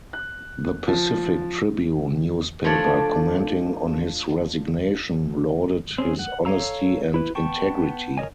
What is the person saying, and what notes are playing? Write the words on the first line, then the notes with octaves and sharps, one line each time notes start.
The "Pacific Tribune" newspaper, commenting on his resignation, lauded his honesty and integrity.
F#6
F3
F3 A3 D4 C#5 D5
C4 C#4 G#4
F#5
A4 C#5 F5 A#5 E6
E4 B4
B3 G5 A5 C#6
A#4 C#5 D#5 G#5